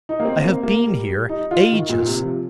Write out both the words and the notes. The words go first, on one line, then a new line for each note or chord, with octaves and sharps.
'I have been here--ages!
D#4
A#3
C4
A#3
A#3
G3
G3
D#4
F4
D#3
A#2
C3
F3